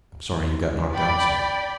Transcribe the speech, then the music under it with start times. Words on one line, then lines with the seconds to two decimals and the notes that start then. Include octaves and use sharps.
"I'm sorry you got knocked out so."
0.95 D5 G5 B5